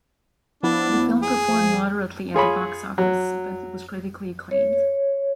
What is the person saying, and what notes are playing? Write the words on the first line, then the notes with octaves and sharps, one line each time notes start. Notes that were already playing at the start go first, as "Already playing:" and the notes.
The film performed moderately at the box office, but was critically acclaimed.
F3 B3 D4 E4
G#4
F3
F4 G#4 C#5 B5
F#3
C#5